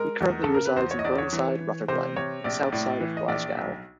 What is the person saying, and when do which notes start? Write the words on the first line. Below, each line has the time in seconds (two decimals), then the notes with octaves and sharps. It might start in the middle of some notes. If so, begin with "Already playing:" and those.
He currently resides in Burnside, Rutherglen, in the South Side of Glasgow.
Already playing: G#3 A#4
0.20 E2
0.43 A4
0.49 C#3
0.54 A#4
0.65 B4
0.76 E2 C5
0.91 C#5
0.99 D#5
1.05 E2 D5
1.18 C#5
1.33 E3
1.60 E3
1.88 C3 C5
2.16 C3 C#5
2.44 A#1 D5
2.72 A2 D5
3.00 E3
3.17 D#5
3.28 A#1 D5
3.57 B1